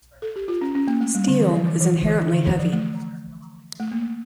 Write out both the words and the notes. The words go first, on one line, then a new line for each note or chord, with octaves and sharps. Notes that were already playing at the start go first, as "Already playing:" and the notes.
Steel is inherently heavy.
A4
G4
F4
C#4
C#4
A#3
A3
G3
D3
E3
F3
E3
E3
D3
E3
E3
D3
E3
F3
A3
A3
A#3